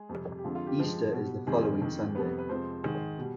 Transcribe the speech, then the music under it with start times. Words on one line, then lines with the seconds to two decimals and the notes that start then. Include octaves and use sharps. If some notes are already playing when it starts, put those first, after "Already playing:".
Easter is the following Sunday.
Already playing: G#3 G#4
0.09 F2 C3 G3
0.38 G4
0.44 F2 D3 G#3 F4
0.55 F4
0.67 G4
0.79 G2 F3 G#3
1.12 B2 G3
1.47 F2 D#3 G3 G#3 G#4
1.81 F2 D#3 G#3
2.15 F2 C3 G3 B3 B4
2.38 B4
2.49 F2 C3 F3 G#3 C4 C5
2.84 G#2 D#3 G#3 G#4
3.18 B2 G3